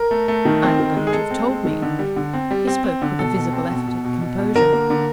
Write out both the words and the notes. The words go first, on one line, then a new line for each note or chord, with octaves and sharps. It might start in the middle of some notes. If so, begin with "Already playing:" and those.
"I'm glad you've told me." He spoke with a visible effort at composure.
Already playing: A#4
A3
A3
D#3
C4
D#3
G#3
G#4
G#3 A4
C4
G#3
D#3
D3
G3
D3
C4
G3
C4
C4
D3
B2 A4
B2
C4
B2
B2
B2
B2
B2
D3 A#4
A#3
D3